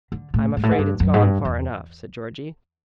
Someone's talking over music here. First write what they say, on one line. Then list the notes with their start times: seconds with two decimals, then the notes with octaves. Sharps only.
"I'm afraid it's gone far enough," said Georgie.
0.12 D3
0.34 A2
0.57 G#2
0.63 A2
0.71 G#2
0.78 G2
1.00 F#2
1.14 G#2
1.22 G2
1.45 E2